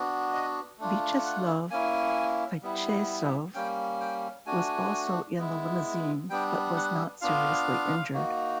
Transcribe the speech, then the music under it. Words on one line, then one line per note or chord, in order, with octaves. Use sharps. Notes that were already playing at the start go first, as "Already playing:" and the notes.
Viacheslav Fetisov was also in the limousine but was not seriously injured.
Already playing: B3 D4 F#4
D#5
A3 D4 F4
F#5
A#3 C#4 E4 G#5
G3 B3 E4
G3 A#3 C#4 G5
G5
A3 D4 F#4 G#5
G#3 B3 E4
G3 B3 D4 G5
F#5
B3 D4 F4 F5
A#3 D#4 F#4